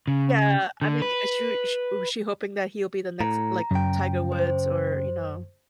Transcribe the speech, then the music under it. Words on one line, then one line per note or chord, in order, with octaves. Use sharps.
Yeah. I mean, uh, she she wa she hoping that he'll be the next, like, Tiger Woods or, you know,
C#3
D3
B4
A2 A#5
F#2 C#3 G5
C5